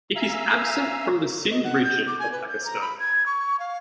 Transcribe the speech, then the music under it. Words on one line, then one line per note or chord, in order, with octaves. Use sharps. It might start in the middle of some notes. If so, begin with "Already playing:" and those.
It is absent from the Sind region of Pakistan.
E5 F5 G#5 A#5 E6
D#5
F#5
G6
D6
G#5
B4
G6
A#5
B5
G#6
C#6
F5